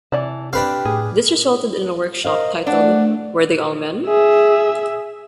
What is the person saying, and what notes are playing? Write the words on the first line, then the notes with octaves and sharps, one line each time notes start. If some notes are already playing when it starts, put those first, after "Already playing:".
This resulted in a workshop titled Were they all men?
C3 E3 D5 A5
C4 D4 G4 B4 F5
A2 G#4
A#4 C5 D#5 F5
A3 D4 F#5
G#4 E5